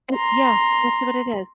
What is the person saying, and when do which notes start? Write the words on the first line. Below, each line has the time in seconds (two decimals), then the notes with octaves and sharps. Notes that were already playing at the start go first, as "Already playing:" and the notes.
Uh, yeah, that's what it is.
0.15 A#5 C6